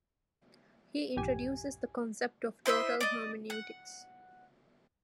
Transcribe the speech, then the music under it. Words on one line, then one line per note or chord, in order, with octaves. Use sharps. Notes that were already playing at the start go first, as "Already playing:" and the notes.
He introduces the concept of 'total hermeneutics'.
A#1 E2 G2 G4 G#5
E4 C5 D#5 E5
D5 D#5
F#5